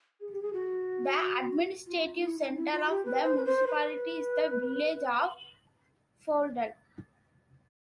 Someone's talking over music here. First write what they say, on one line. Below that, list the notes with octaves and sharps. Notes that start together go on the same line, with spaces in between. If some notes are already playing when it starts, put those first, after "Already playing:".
The administrative centre of the municipality is the village of Folldal.
G#4
G4
G#4
F#4
F4
D#4
E4
D#4
E4
F4
G4
B4
C5
B4
C5
B4